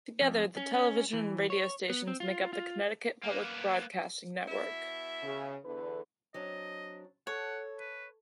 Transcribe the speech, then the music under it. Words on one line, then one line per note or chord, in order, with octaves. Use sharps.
Together, the television and radio stations make up the Connecticut Public Broadcasting Network.
F2
C#4
C#4
E3
C#5
B3
C4
F4
F4
A#3 B3
B2 E4 E5
C#3
E2 D3 B4
F#3 C4 D4 D#5
A4 C#5 F#5
B4